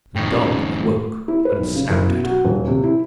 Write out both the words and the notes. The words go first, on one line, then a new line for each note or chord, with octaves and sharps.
The dog awoke, and snapped at her.
A2 D#3 G5
C#4 D4 G4
A3
E4
B4
B1
C#3
F#1
B2
F#4
D#1
C3
E4